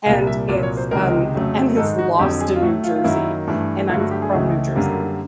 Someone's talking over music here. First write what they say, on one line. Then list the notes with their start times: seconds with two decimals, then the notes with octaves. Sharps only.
and it's, um and it's lost in New Jersey, and I'm from New Jersey.
0.06 C2 A#2 G3 A#3 F5
0.27 E5
0.49 C2 A#2 F#3 A#3 D5
0.63 C#5
0.77 C5
0.91 C#2 C3 D#3 G#3 A#4
1.34 F2 C#3 F#3 A3
1.77 G#2 D#3 G#3 A4
1.98 F#4
2.19 F2 D3 F#3 G4
2.41 G#4
2.55 F4
2.62 A2 F#3 A3 F#4
2.83 F4
2.96 F4
3.04 F#2 D#3 F#3 A#3 E4
3.47 G2 E3 A3
3.89 G2 D3 F#3 A3 F4
4.00 F#4
4.11 G4
4.22 G#4
4.32 C#2 C#3 E3 A3
4.75 F#2 D3 G3 A#3